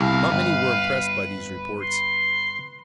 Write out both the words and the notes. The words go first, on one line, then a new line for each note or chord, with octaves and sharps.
Not many were impressed by these reports.
C2 B2 E4 F5
G1 B4
C6